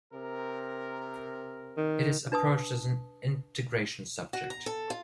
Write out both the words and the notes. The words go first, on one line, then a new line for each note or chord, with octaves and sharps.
It is approached as an integration subject.
C3 C4 A#4
D#3
D4 B4 A5 D#6
F#4
A#5
A4
F4